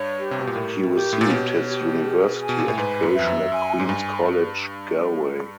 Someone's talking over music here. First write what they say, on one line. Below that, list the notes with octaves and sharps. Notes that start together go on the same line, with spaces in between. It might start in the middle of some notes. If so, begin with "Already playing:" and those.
He received his university education at Queens College Galway.
Already playing: G2 C#5
G4
C3
B2
A#2
A2 A#4
G4
A2
A#2
B2 C#5
G4
G#4
G#5
B2
A#2
A2
G#2 B4
F#2
F2 E5
F#2
F#2 G#5
G#2
G2 G#5